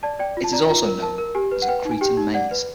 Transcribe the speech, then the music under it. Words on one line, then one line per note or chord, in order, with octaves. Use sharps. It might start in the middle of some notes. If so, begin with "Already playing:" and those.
It is also known as a "Cretan maze".
D5 A5
D5 G5
F4
A5
D5 A#5
F4 A#5
A#4
A#4 A5
A#4
G4 G#5
B4
F#5
B4 G5
D#4
G#5
G4 G5
D#4
D5 F#5
B4